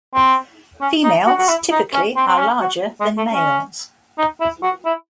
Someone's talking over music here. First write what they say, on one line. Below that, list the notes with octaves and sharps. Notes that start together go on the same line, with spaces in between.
Females typically are larger than males.
C4
C#4
D#4
F#4
F#4
E4
D#4
C#4
C4
C4
C#4
F#4
G#3
A3
C#4
D#4
E4
F#4
E4